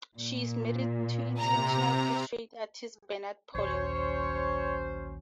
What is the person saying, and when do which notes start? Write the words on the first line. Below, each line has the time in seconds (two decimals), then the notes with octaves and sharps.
She is married to international portrait artist Bernard Poulin.
0.17 A#2
1.38 C3 A#5
3.55 A#1 D#2 F#3 C#4 C5 C#5